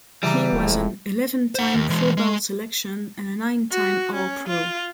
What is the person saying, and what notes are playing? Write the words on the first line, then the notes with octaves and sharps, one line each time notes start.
He was an eleven-time Pro Bowl selection and a nine-time All-Pro.
C#3 E3 G3 D4 A#5
D#1 F2 A2
C5 F#5
D#2
E3 G#3
G#3
F#4
C#4
F4